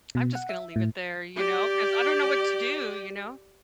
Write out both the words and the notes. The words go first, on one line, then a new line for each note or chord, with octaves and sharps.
I'm just gonna leave it there, you know, 'cause I don't know what to do, you know.
B2
F#5
E5
A2
G4 D5